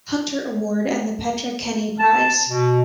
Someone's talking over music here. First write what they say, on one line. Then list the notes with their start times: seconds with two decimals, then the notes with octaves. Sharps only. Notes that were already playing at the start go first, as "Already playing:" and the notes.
Hunter Award, and the Petra Kenney Prize.
1.98 A5
2.49 B2